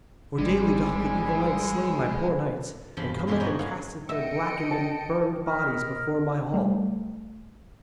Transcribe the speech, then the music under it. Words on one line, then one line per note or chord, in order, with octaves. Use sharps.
For daily doth the evil knight slay my poor knights, and cometh and casteth their blackened and burned bodies before my hall.
G#1 G3 G#3 D4 E4 C5 G#5
E2 G2 F3 F5 B5 C6
G2 B2 E3 G#3 E4 G4
G#2 C#4 E4 C#5 D#5 F#5
G#4 C#5 F5 F#5
D#5 E5 G5 C#7 D7
A5
A#4 D#5 B5 F6
G3 A3